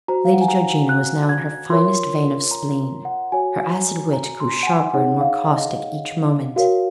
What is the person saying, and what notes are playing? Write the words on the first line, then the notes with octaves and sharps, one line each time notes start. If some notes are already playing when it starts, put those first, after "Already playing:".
Lady Georgina was now in her finest vein of spleen: her acid wit grew sharper and more caustic each moment.
F#4 C5 A#5
F5
F#5
G#5
A#5
F#6
G#6
F4 A#4 C#5 C6
A#5
F#5
F#4 C#5 G#5
A#5
A#5
C6
F#5
G#5
D#4 G#4 C#5 F#5
F5
D#5
F#4 A#4 C#5 F5